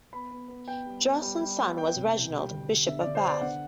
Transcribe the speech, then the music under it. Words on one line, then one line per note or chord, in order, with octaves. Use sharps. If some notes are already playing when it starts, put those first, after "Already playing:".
Josceline's son was Reginald, bishop of Bath.
B3 B5
B3
B3
B3 G5
G3
B3
G3
G3
B3
G3 G5
C2
B2
G3
D2
G3
D3 E5
D3 D5
C5
B3 D5
D3 F#5